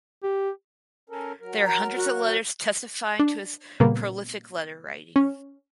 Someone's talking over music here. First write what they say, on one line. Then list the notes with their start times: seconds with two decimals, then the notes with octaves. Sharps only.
There are hundreds of letters testifying to his prolific letter writing.
0.23 G4
1.10 C#4 A4 A#4
1.41 F#3 A#4
1.65 A#5
1.96 F#4
3.19 D4
3.80 A#2 C#3 G3 A#3 B3
5.16 C#4